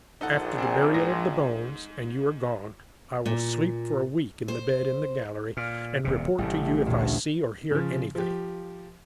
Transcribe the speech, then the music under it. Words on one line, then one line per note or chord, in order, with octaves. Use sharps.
After the burial of the bones, and you are gone, I will sleep for a week in the bed in the gallery, and report to you if I see or hear anything.
A#1 D#4 A4 F#5
C4 D4 G#4
G#2 A#6
A#2
C5
A#2 F6
D#1 C3
A1 A2 C3 G3 A3
D2 A#2
C#3 F3
F3 G4